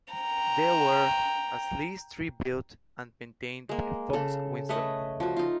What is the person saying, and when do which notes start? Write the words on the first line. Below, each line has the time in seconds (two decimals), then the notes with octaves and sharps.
There were as least three built and maintained by Fox-Wisdom.
0.13 G5 A#5
3.69 G#3 A#3
4.13 C#3 A4
4.69 A3 B4 C#5 D#5
5.20 F3 F#4
5.36 D#4 F4